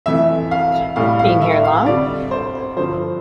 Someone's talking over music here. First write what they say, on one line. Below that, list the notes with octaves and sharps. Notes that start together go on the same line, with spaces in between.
Been here long?
F2 E3 A3 E5
F5
A2 G3 F5
F5
E5
F5
F2 D3 G3 D5
C5
G2 D3 F3 C5